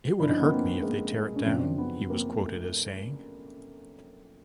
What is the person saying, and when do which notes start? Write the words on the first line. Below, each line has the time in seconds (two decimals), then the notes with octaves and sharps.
"It would hurt me if they tear it down", he was quoted as saying.
0.19 G2 D3 F3 D4 E4
0.29 C#4 D#4
0.40 B3 C#4
0.51 A#3 C4
0.83 G#3 A#3
1.36 C#4
1.46 F#2 C#3 F3 C4 D4
1.78 B3 C#4
2.10 A#3 C4
2.36 A3